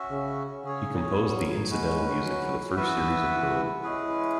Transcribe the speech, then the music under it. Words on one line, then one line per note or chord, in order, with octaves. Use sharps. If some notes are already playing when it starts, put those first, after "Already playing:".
He composed the incidental music for the first series of "Boon".
Already playing: C#4 F#4 E5
C#3
C#3 C#4 G#4 C#5
F#3
G#3 C#4 F#4 B4
F#3
E3 B3 F#4 B4 E5
E3
G#3 C#4 E4 G#4 B4